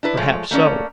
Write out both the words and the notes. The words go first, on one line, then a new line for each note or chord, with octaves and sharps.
Perhaps so.
D4 E4 B4
F3 G#3 A3 C#5
A3 A#3 C#4 D5